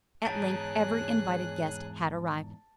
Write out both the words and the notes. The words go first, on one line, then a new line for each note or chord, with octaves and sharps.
At length every invited guest had arrived.
E2 G#2 G#4 C#5 A5 F#6 A6 D7